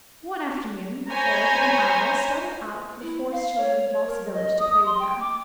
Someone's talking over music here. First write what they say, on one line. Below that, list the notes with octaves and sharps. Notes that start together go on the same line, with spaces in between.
One afternoon Eric and Ivra started out for the Forest Children's moss village to play with them.
C5 C#5 G#5 A#5 B5
E4
F5
C#5
C#5
A#4
D#5
D#6
C6
G5
D6